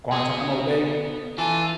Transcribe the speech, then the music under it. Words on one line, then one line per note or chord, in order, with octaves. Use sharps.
Guantanamo Bay?
B3 F#4 G#4
E3 F4 A4 G#5